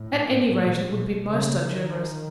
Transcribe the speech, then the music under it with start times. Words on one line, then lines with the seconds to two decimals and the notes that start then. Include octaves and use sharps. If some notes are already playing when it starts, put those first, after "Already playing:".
At any rate it would be most ungenerous.
Already playing: A2
0.54 A#2
0.92 B2
1.30 C#3
1.69 D#3